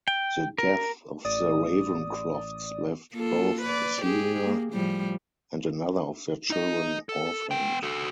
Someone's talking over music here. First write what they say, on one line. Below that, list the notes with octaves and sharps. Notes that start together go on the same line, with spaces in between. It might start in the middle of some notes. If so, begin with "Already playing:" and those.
The death of the Ravenscrofts left both Celia and another of their children orphaned.
G5
A#4
A1 D5 D#6
A#3 F4 A4
B4 D5
G4 G#4
A#3
A2 F3 G3
D#4 D#5
A4
B3 G5
F#4 A4